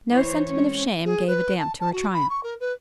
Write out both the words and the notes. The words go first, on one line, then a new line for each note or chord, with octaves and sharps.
No sentiment of shame gave a damp to her triumph.
E3 C5 C#5
G#3 C4 C#4 C#5
G#4
B4
A5
A5
F#4
B5
C#6
A#4
B4